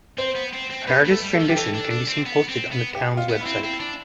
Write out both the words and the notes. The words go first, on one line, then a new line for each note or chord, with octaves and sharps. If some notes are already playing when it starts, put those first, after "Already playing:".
An artist's rendition can be seen posted on the town's web site.
C4 C5
B3
C4
C4
B3 B4
A3
A4
G3
A4
F3
G4
E3 A4
D4
D4
C4
B3
C4
B3
G4
F4
B3
E4
C4
C4
D4